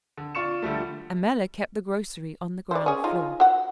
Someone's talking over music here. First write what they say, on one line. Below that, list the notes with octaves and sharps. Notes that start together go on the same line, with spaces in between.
Ammella kept the grocery on the ground floor.
D3
F4 D5 C#6 F6 C#7 E7
D3 F3 G3 A3
C5 D5
C#4 G#4
F3 D#4 F4
F#4 F#5